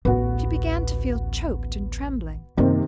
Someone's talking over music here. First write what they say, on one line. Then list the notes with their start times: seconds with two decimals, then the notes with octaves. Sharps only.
She began to feel choked and trembling.
0.05 A1 D2 B3 F#4
2.57 F#2 C3 D#3 A#3 C4